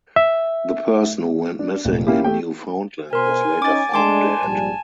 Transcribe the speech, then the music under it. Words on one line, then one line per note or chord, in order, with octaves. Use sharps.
The person who went missing in Newfoundland was later found dead.
E5
D4
F1 A#2
A#3 C#4 E4 G4
A3 G4 G5
B2 A#4 C5 G#5 C6
C#4 D#4 D6 A6
G#3 A3 D4 G#5 A5 C6 D6
A#1 G#2 G3 A5